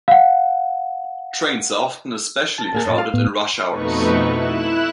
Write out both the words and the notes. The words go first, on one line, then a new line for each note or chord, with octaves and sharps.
Trains are often especially crowded in rush hours.
F5 F#5
A5
D2 A#3 G#4
F#2 A#2
F5
A2 B3
F2 B2 A3 D#4 B4 C#6
E4 F#6 E7